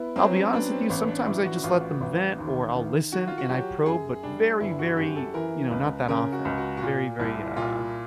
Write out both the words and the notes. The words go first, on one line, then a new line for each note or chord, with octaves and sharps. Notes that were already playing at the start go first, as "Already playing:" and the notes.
I'll be honest with you, sometimes I just let them vent or I'll listen and I probe, but very, very, you know, not that often. Very, very, uh,
Already playing: B3 E4
F#3 C4
C#4
B3 D4
C4
A1 C#4
D4
A1 E4
F#4
A1 F4
A1
D#2
D#3
D#3 F#4
F4
F#4
F#3 G4
F#2 G#4
G3 D4
G1 E4
F#4
F#2 G4
A4
E3 A#4
C#2 B4
C#3 A#4
F#4
C#2
F#4
F#4
A#2 F4
C2 E4
A#2 F4